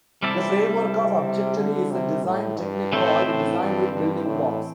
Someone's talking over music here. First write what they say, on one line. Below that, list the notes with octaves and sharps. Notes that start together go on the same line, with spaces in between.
The framework of objectory is a design technique called design with building blocks.
C3 G3 C4 E4 A4 D5
D3
C3
A2
G2
A2 E3 C4 A4 C5
A2
G2
G2
A2